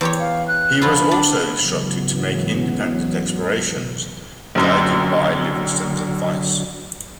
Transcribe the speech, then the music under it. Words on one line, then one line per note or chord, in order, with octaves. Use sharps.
He was also instructed to make independent explorations, guided by Livingstone's advice.
E2 G4 C#5
F5
F#6
F2 D3 F4 B5
D4
C#2 G#2 C#3 E3 F#3 B3
A#1 F#2 D3 F#3